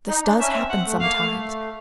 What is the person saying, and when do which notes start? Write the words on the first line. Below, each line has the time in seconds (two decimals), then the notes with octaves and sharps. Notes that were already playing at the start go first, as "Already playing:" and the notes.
This does happen sometimes.
0.08 D#4
0.24 D4
0.39 C#4 E5
0.55 C4
0.70 F#5
0.86 A3
1.01 A#3 F5
1.16 A3